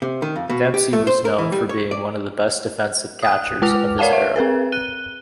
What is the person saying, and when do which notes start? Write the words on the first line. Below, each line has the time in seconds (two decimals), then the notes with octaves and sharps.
Dempsey was known for being one of the best defensive catchers of his era.
0.02 C3
0.22 D#3
0.36 F2
0.50 B2
0.74 G4
0.93 A3
1.07 C5
1.25 A#4
1.38 E3
1.52 G3
1.69 C#5
1.91 D5
3.23 D#6 F#6
3.62 G#3 B4 D6 F6 F7
3.99 A#4 C#5 D5 F5 F#5 A5
4.13 E5
4.36 C4 G#4 A#4 B4
4.72 F#6 D#7 G7